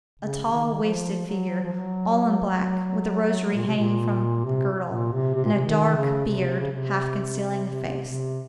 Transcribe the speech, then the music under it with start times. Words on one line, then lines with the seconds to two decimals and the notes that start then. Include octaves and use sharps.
A tall, wasted figure, all in black, with a rosary hanging from the girdle, and a dark beard half concealing the face.
0.22 C#3
0.45 C#3
0.52 D#3
0.82 F3
1.27 F#3
1.63 F3
1.73 F#3
3.55 A#2
3.66 C3
3.78 A#2
4.45 C3
4.90 A#2
5.13 C3
5.35 C3
5.45 A#2
5.54 C3
5.66 D#3
5.96 C#3
6.26 C3
6.59 C#3
6.72 C3
8.08 C3